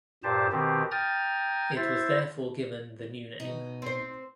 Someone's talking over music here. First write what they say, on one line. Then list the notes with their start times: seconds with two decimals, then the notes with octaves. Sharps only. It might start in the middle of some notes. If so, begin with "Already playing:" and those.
It was therefore given the new name.
0.23 G2 A#2 G4 C5 A5
0.52 B2 D#3 C4 G4
0.91 G5 A#5 D#6 F6 G#6 A6
1.76 E4 C5 E5 A6
3.40 B2 D#4
3.82 C4 C5